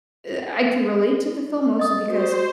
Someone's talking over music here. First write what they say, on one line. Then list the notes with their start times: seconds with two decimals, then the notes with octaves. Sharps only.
eh, I can relate to the film mostly because
1.79 D#5 D#6
2.08 F#4 C5